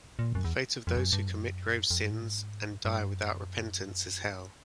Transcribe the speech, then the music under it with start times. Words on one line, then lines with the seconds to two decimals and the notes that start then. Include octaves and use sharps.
The fate of those who commit grave sins and die without repentance is Hell.
0.19 A#2
0.35 F#2
0.45 E2
0.87 F2
0.97 F#2
1.13 G2
1.28 F#2
1.91 F2
2.01 G2
2.12 A2
2.21 G#2
2.85 G2
3.15 F#2